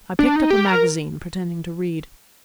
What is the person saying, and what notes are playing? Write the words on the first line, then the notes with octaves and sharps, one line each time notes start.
I picked up a magazine, pretending to read.
D4
D#4
G4
A#4